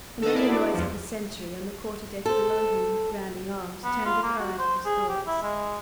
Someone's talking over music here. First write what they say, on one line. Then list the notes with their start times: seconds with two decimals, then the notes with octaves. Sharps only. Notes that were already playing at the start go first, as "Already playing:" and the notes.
And then the noise of the sentry, on the quarter-deck below him, grounding arms, turned the current of his thoughts.
0.22 D3 D#3 A3 A4 D#5
0.34 G#2 B3 E4 A#4 D5
0.48 B3 D4 F#4
0.73 E2 F3
2.26 A4 C5
3.84 B3
4.05 F4
4.23 A#3
4.39 F#4
4.59 C5
4.85 G#4
5.09 G4
5.26 E4
5.42 G#3